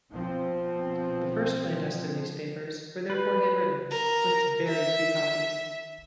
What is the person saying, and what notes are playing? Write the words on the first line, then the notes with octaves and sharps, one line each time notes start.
The first clandestine newspapers were therefore handwritten with very few copies.
B2 F3 C4
B4
A#4
E5